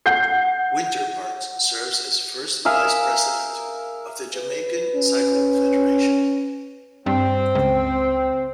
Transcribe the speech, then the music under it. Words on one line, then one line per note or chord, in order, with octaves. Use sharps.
Wynter-Parks serves as first vice-president of the Jamaican Cycling Federation.
F#5 G6 C7
G#4 A#4 E5 F5
B4
C#4
G2 C4
C#2